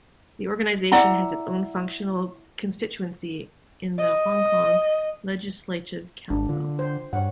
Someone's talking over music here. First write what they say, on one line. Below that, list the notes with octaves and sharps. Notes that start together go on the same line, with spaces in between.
The organisation has its own functional constituency in the Hong Kong Legislative Council.
E4 D5 F#5 A#5
D#5
G#1 D4
D3 F4
C5
G2 C#5 F#5